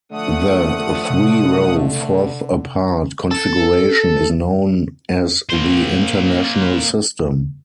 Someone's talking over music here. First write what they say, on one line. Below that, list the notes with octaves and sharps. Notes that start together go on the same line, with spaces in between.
The three-row fourth-apart configuration is known as the international system.
D3 F3 A3 F#5 D#6
C3
A4
A#3 C5